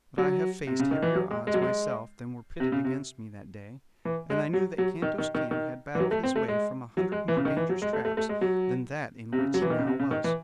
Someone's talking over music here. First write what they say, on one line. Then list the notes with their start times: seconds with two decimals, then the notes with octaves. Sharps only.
But I have faced heavier odds myself than were pitted against me that day, and I knew that Kantos Kan had battled his way from a hundred more dangerous traps than that in which he now was.
0.18 F#3
0.67 C3
0.79 C#3
0.91 D#3
1.02 E3
1.15 F#3
1.30 G#3
1.47 G#3
1.54 F#3
1.62 G#3
2.60 C3
2.72 C#3
2.84 C3
4.05 E3
4.30 G#3
4.53 F#3
4.78 F#3
5.02 D#3
5.18 D#3
5.35 D#3
5.51 D#3
5.95 E3
6.00 F#3
6.11 A3
6.23 C4
6.36 A3
6.48 G#3
6.97 F#3
7.12 G#3
7.28 E3
7.37 C#3
7.45 D#3
7.57 E3
7.69 F#3
7.82 G#3
7.93 A3
8.05 A3
8.17 A3
8.29 G#3
8.41 F#3
9.32 C3
9.38 C#3
9.54 F#3
9.62 E3
9.70 D#3
9.79 C#3
9.87 C3
10.00 C#3
10.11 D#3
10.24 E3